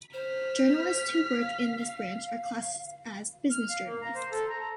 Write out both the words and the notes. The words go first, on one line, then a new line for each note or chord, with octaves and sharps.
Journalists who work in this branch are classed as "business journalists".
C5 F6 B6
F5
F5
F6
F5
A#3
A#5
C5
A4
A#5
A#5